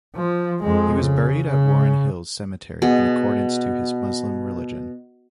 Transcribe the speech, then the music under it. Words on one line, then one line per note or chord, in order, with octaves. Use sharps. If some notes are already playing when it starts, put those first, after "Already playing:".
He was buried at Warren Hills cemetery in accordance to his Muslim religion.
F3
F2 G#3
C#3
C#3
B2 G#4